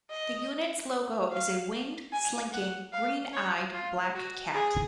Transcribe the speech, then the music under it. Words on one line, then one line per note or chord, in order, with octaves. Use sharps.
The Unit's logo is a winged, slinking, green-eyed, black cat.
D#5
F5
G#5
F#5
F5
C#5
F4
F#4
G#4